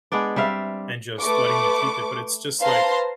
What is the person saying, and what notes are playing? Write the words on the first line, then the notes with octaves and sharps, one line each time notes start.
and just letting me keep it, but it's just like,
G#3 B3 D4 D5
G3 C4 E5 F5
A3 B4 C#6 D6
B4 C5 F5 A5 A#5 C6